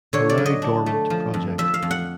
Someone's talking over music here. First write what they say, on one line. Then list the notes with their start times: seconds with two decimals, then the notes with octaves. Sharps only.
A now dormant project.
0.13 D3 C#5
0.29 D5
0.38 F#3
0.46 D#5
0.62 D4
0.86 A3
1.10 F3
1.34 F2
1.58 F3 E5
1.74 F5
1.82 F2
1.91 F#5